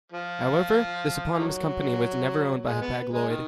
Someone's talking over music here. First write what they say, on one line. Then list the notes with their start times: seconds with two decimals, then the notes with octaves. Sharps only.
However this eponymous company was never owned by Hapag-Lloyd.
0.12 F3
1.39 D#3 F#3
2.65 G#3
2.82 B3
3.13 G#3
3.29 D#3